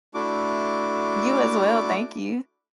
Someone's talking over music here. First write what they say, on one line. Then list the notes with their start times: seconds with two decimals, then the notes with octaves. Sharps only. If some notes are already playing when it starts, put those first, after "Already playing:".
You as well, thank you.
0.15 A3 D4 E4 F#4 D6